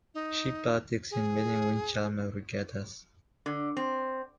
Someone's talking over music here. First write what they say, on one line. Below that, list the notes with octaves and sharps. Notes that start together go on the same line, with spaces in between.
She partakes in many windjammer regattas.
D#4
G#4
D3
C4